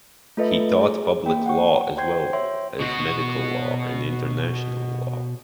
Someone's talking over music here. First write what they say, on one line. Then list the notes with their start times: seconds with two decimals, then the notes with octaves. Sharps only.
He taught Public Law as well as Medical Law and International Law.
0.37 A3 F4 A4 B4 D#5 E5
0.81 G#4
1.26 A#3 G5
1.46 F#5 G5 C#6
1.97 C5 G5 C6 G6 G#6 C7
2.33 C#5 E5 C6
2.80 B2 F#4